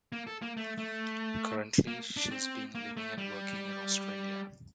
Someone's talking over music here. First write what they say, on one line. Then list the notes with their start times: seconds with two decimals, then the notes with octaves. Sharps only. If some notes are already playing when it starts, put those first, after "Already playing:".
Currently, she's been living and working in Australia.
0.12 A#3
0.27 A4
0.42 A#3
0.57 A3
0.78 A3
1.87 A#3
2.17 D4
2.31 C4
2.75 A#3
2.97 A3
3.18 G3